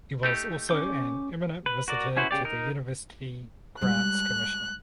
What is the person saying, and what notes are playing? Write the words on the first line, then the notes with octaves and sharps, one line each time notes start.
He was also an eminent visitor to the University Grants Commission.
A3 D#4 G4
C#4 D6 G6
B4
F#4 A#4 D5
C#4 E4 F#4 B4 C5
C#3 G4 D5
D#4 A#4
G3 G#3 F#6